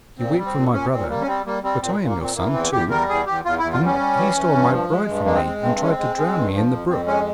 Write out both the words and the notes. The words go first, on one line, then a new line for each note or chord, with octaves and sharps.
You weep for my brother, but I am your son too, and he stole my bride from me and tried to drown me in the brook.
A#2 C4
G3
C4
A#2
A#2 C#4
A#2 C4
G3 A#3
C#4
G3 C4
G3 A#3
G3 C4
A#2 C4
A#2
A#3
A#2
C4
E3 A#3
E2 C4
E2 G4
G3 A#4
E2 G#4
E2 G4
E2 F4
E2 E4
F4
G3 C#4
G3
E3
E3
G2
F3
G#3
G2
G#3 A#3
C4
G#3
G2 C4
G#3 C#4
C4
G#3
G#3
G2
F3
F2
F2 C4
G#3 C#4